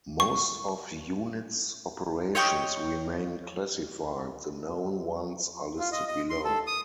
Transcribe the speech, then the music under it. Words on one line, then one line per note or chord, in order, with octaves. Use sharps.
Most of unit's operations remain classified, the known ones are listed below.
C#6
C#5 D#5 G5 C#6
F4
D#5
D#5
C6
A4
D#6